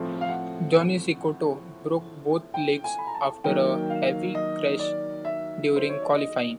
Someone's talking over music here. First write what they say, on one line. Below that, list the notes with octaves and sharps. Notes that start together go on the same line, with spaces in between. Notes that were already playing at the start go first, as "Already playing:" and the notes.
Johnny Cecotto broke both legs after a heavy crash during qualifying.
Already playing: A2 F3 A3 C4
F5
F#5
G5
G#5
B5
A#5
A5
D#3 F#3 A#3 G5
F5
D#5
D5
E5
C5
C#5
D5
D#5